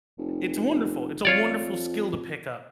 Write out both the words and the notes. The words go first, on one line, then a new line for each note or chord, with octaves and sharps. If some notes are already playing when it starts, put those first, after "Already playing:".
It's wonderful. It's a wonderful skill to pick up,
F1
F2 F4 C#5 D5